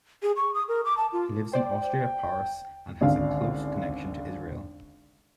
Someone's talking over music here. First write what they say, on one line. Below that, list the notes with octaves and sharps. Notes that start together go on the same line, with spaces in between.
He lives in Austria, Paris and has a close connection to Israel.
G#4
C#6
D#6
A#4
D6
A5
F4
C5 D5 G5
G#1 C#2 D3 F5